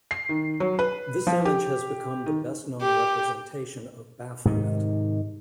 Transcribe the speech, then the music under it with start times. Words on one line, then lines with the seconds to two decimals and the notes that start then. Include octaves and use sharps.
This image has become the best-known representation of Baphomet.
0.11 C7
0.29 D#3
0.60 F#3
0.79 B4
1.27 F3
1.45 G4
2.26 D#3
2.82 G4
4.45 G#2 C3 D#3